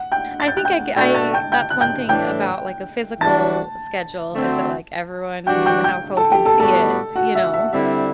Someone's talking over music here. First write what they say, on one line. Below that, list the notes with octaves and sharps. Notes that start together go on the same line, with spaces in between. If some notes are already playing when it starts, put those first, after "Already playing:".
I think I c I, that's one thing about, like, a physical schedule, is that, like, everyone in the household can see it, you know?
Already playing: F#5
G5 G6
A6
G6
F#6
G5 G6
B2 A3 D4 F#4 G5 G6
A5 A6
G5 G6
G5 G6
F#6
G5 G6
A2 E3 A3 D4 G5 G6
E3 G3 D4 F#4 A5 A6
D3 A3 C4 F#4
E3 G3 D4 F#4 G5 G6
G5 G6
G5 G6
A4 A5
G4 G5
A4 A5
A2 G3 B3 F#4 A4 A5
F#4 F#5
E5
E5
D3 G3 C4 E4 E5